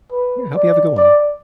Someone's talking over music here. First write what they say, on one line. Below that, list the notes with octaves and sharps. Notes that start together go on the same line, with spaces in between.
Yeah, hope you have a good one.
B4
D5
D5